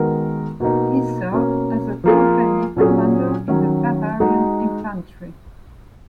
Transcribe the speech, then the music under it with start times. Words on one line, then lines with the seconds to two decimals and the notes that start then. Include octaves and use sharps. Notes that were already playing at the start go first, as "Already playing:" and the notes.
He served as a company commander in the Bavarian infantry.
Already playing: D#3 G#3 B3 F#4 A#4
0.60 B2 A#3 D#4
1.32 B2 A#3 C#4
2.04 F3 A#3 F4 G#4
2.76 A#2 F#3 C#4 G#4
3.48 D#3 F#3 C#4
4.20 G#3 D#4 F#4